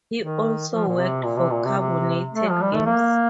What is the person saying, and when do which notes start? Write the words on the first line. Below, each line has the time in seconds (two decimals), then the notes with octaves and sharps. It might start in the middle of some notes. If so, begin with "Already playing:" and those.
He also worked for Carbonated Games.
0.18 D#3
0.72 F3
0.88 A#2
0.99 C3
1.25 A#2
1.38 C3
1.52 A#2
1.65 C3
1.78 C3
2.33 A3
2.50 F3
2.62 G3
2.75 A3
2.86 A#3